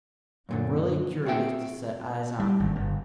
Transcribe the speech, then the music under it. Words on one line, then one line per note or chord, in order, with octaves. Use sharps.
I'm really curious to set eyes on him.
F#2 A#2 D3
C4 F#4 G#4 E5 G5
G3
G#1
G1